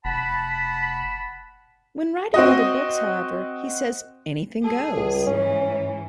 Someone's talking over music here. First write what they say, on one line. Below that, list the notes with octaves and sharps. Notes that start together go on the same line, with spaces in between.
When writing other books, however, he says, Anything goes.
F1 F#5 A5 B5
C4 F#4 D#5
G3 G#4 A4
C#2
G#2 E3 C#4
C#4